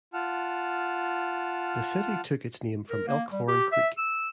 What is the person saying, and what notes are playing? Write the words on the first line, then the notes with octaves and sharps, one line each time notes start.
The city took its name from Elk Horn Creek.
F4 F#5 A5 F6
A#4
A#3
G3
G4
E5
E6